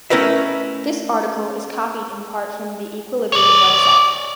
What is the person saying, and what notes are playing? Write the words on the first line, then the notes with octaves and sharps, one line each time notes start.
This article is copied in part from the Equilibrium website.
A3 C#4 E4 A#4 B4 E5
C#5 D5